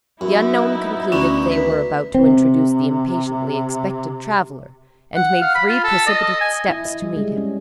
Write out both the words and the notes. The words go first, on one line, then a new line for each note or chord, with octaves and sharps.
The unknown concluded they were about to introduce the impatiently expected traveler, and made three precipitate steps to meet him.
F#2 B3 D#4 E4
D2 C#4 D4
B4
C3 C4
F#5
F5
B5
F4
A4
D#5
G#5
E4
D#5
G3
G#3
C#4